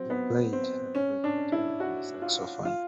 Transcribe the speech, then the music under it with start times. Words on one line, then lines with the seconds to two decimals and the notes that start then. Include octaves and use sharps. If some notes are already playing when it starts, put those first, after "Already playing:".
He played "Heartbreak Hotel" on the saxophone.
Already playing: F#3 C4
0.10 B3
0.53 C4
0.95 C#4
1.24 D4
1.52 E4
1.80 F#4
2.22 F4
2.65 F4